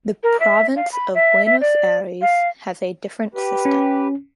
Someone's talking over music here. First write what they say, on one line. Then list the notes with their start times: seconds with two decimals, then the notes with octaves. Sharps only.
The Province of Buenos Aires has a different system.
0.23 A#4
0.40 E5
0.76 F5
0.93 B5
1.15 E5
1.46 E5
1.61 D5
2.22 F5
3.35 G4 B4
3.65 C#4